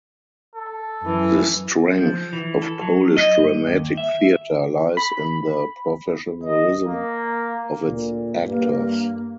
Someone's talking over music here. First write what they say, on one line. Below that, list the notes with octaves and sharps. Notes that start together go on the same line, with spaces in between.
The strength of Polish dramatic theatre lies in the professionalism of its actors.
A4
F#2 E3
F3
E3
A4
F#3
D#5
G2
D#2
E5
B5
D#5
A#3
D2 A#2
G2 A#3